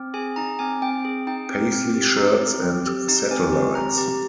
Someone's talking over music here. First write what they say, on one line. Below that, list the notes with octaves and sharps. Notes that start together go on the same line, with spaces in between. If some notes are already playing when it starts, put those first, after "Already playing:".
Paisley shirts and satellites.
Already playing: C4
G#4 G#5
D#4 A#5
C4 G#5
C4 G5
G#4
D#4 G5
C4
C4
G4
D#4
C4
C4
G4
D#4
C4 G#5
G4
C4 A#5
G4